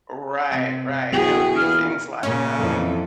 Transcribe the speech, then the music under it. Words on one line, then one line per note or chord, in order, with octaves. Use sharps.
Right, right, and it would be things like, um,
C3
F#3 B3 E4 F#4 G#4 F#5 G5
E2 A#2 E3 F6
A#2 C#3 C#4
F2 E3 A4